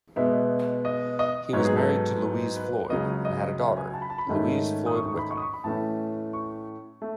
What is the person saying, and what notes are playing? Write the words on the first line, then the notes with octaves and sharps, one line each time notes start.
He was married to Louise Floyd and had a daughter, Louise Floyd Wickham.
B2 G#3 B3 E5
D#5
D#5
G#2 F#3 B3 C#5
G#4
A4
B4
C#2 C#3 F#3 D#5
D#5
E5
G#5
A5
B5
A5
B5
G#2 D#3 A3 C#4
D#6
C#6
C#6
B5
C#6
D#6
C#6
B5
A2 E3 A3 C#4 A5
C#6
A3